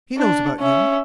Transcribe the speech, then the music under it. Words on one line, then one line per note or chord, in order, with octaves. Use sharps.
He knows about you.
D4
C#4 E5